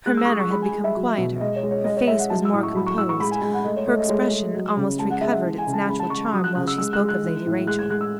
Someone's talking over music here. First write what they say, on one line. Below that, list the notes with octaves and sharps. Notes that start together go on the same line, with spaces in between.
Her manner had become quieter; her face was more composed; her expression almost recovered its natural charm while she spoke of Lady Rachel.
G#3 F#6
E6
C#6
G#3 D#6
C#6
G#3 B5
G#5
G#3
E5
F#3
B2
G#3 D#5
C#5
G#3
C#5
G#3 D#5
C#5
G#3 E5
F#5
F#3 A5
E6
A2 D#6
C#6
F#3 B5
C#6
A2 E6
C#6
G#3 B5
G#5
G#3 G#5
F#5
A3 D#5
C#5
A3 D#5
D#5
G#3 C#5
D#5
G#3
F#3
C#3
G#3 A5
F#5
G#3 E5
E5
E3
G#5
C#3
A5
G#3 B5
A5
G#3 C#6
F#3 D#6
F#6
C#3 F#6
E6
G#3 E6
F#6
G#3
F#6
E3
A2
G#3 F#6
G#6
G#3 F#6
E6